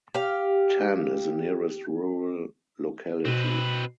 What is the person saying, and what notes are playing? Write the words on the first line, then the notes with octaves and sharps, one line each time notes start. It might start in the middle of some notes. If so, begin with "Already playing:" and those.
Tan is the nearest rural locality.
G4 F5
B2 C4 B4